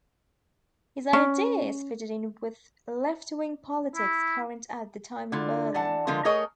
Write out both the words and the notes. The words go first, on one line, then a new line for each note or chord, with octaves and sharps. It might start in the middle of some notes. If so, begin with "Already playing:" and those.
His ideas fitted in with left-wing politics current at the time in Berlin.
C#4
E4
D3 E4 F4
E3 D5 F#5 A5
D3 F3 G#3 F4 A#4
A3 G#4 A#4 C#5 D#5